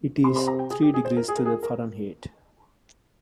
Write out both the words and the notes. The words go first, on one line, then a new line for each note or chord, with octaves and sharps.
It is three degrees to the Fahrenheit.
C3 C6
C6
A#5
G5
G#4
G4
G#4
C5
A#4
G#4
A#4
G#4
A#4